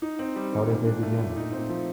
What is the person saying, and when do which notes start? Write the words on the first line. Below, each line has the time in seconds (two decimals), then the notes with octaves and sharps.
How did they begin?
0.02 D#4
0.19 C4
0.36 G3
0.52 D#3
0.70 A#2
0.86 D4
1.03 A3
1.19 A#2
1.36 D#4
1.52 C4
1.69 F3